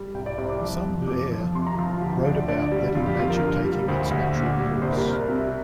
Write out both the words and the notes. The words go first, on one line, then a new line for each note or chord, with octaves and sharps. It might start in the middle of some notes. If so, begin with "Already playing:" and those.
Sun Bu'er wrote about letting nature taking its natural course.
Already playing: G3
C2 G5
D5
C2 C5
D6
F3
F2
F2 D6
F3
C3 C6
A#5
F3 F5
F4
D2 G4
F4
D2 D5
D5
D3 D5
G3
F2 F4
G4
F2 F4
A#4
D3
G3
D2 C5
D2
A#2
G3
C2 C5
A#4
G4
C2
A#4
C3